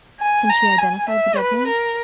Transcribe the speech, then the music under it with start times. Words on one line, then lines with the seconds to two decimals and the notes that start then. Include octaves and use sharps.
"Can she identify the dead man?"
0.20 G#5
0.49 A#5
0.78 G#5
1.09 E5
1.37 B4
1.67 A#4